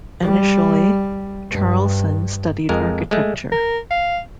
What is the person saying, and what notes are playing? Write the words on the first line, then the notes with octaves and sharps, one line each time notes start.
Initially Charleson studied architecture.
G3
G2
F2 G#3 A#4
G#3 A3
A#4
F5